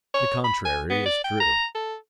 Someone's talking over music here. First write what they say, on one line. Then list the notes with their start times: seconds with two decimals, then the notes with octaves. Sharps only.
The contrary is true.
0.14 C#5
0.44 B5
0.65 G#5
0.90 B3
1.06 D5
1.24 G5
1.40 A#5
1.75 A4